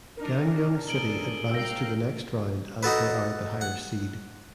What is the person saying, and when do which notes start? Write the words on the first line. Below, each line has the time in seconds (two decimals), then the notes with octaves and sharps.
Gangneung City advance to the next round as they are the higher seed.
0.17 D4 D#4 A#4
0.87 B2 G#4 A4 D7 F#7 G7
1.51 G#2 G3 A#4 F5 G5 E6 A#6
2.83 D#4 F#4 A4 B4
3.61 F#5